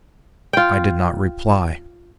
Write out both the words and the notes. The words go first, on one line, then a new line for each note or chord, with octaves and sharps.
I did not reply.
F4 G5